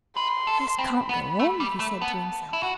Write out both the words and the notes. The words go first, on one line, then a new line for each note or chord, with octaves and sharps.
'This can't go on,' he said to himself.
B4 C6
A4
C4 B5
B3
A3
G3
A3
B3 A5
E4
F#4